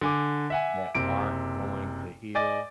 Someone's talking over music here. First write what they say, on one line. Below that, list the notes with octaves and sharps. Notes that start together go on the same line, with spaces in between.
that aren't going to heal
D3 G#5 D6
E5 F#5 G#5
F#1 C3 D7
D5 D#5 G#5 D6 A6